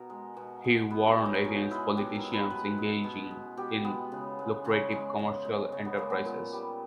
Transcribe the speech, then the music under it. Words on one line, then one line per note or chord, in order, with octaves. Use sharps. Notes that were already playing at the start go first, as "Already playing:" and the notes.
He warned against politicians engaging in lucrative commercial enterprises.
Already playing: B2 A#4
G#3
B2
G#3
B2 B4
C#4
G#3
D#4
C#4
B2 D#4
G#3 E4
B2 G4
A#4
G#3
B4
B2 B4
G#3
B2
G#3
B2 G4
G#3 B3
C#3
G#3
C#3 C#4
G#3
C#3
G#3
C#3 C#4
B3
G#3 A#3
B3
A#2
G3